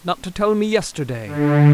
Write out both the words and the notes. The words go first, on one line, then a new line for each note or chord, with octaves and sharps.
Not to tell me yesterday!
D3